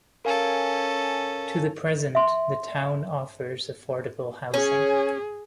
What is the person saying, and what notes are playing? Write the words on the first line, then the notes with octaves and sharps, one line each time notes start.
To the present, the town offers affordable housing.
C#4 A4 A#4 F5 G#5
E5 C6
C#4 G#4